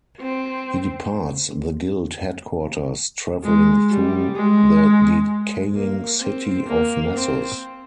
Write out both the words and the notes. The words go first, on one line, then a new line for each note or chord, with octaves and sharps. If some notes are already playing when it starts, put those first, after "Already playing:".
He departs the guild headquarters, traveling through the decaying city of Nessus.
C4
G#3
G3
G#3
A#3
C4
A#3
C4